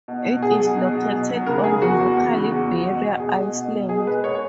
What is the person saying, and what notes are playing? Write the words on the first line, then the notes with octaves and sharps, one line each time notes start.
It is located on the local barrier island.
B2
B2
B2 G#4
F#3
B2
F#3
B2
F#3
C#3 A#4
C#3 G#4
E2 F#4
E2
E2
C#3
E2
E2
B2
B2
B2 G#4
B2
B2
B2
B2 G#4
G#3 B4
A#3 C#5